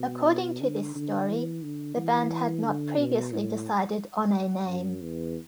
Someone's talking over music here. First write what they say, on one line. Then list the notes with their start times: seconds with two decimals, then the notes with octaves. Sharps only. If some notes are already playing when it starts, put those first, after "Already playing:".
According to this story, the band had not previously decided on a name.
Already playing: B2
0.62 D3
0.95 D3
1.29 E3
1.63 D3
1.96 E3
2.65 D3
2.98 B2
3.32 A2
4.67 F#2
5.01 E2